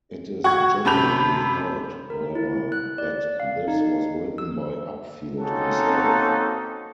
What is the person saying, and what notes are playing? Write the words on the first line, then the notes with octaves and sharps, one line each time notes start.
It is generally held, however, that this was written by Upfield himself.
F#4 C#6 G#6
F#2 C3 A5 B5 G6 F7
A#4
E4
F#6
D5
F5
D#4
E6
A#3 C4 C#4 D#4 F#4 A4